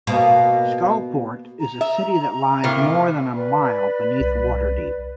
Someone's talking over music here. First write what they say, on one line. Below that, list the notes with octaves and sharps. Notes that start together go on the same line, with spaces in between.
"Skullport" is a city that lies more than a mile beneath Waterdeep.
B2 A#3
A#5
E5
A2 C3 A#3 E5
B4 D5
C2